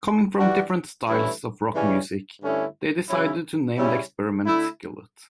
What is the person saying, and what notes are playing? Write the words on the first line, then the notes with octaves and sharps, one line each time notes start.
Coming from different styles of rock music, they decided to name the experiment Skillet.
E3 G3 D4 F#4
G2 E3 A3 C#4 E4
C#3 E3 G3 C#4
G2 D3 A3 C#4 E4
C#3 F#3 C#4 E4
C#3 G3 C#4 E4
D3 A3 E4